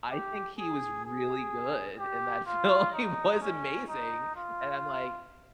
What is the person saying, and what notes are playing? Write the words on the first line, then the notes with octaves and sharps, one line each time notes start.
I think he was really good in that film, he was amazing, and I'm like
G4
G#4
G#4
G4
F4
D#4
C#4
D#4
F4